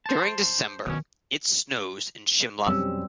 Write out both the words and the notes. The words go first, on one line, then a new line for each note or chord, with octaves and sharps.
During December it snows in Shimla.
C5 A5
B2 D#3 F3 C#4
F2 B2 F#3 G3 C4 C#4 E6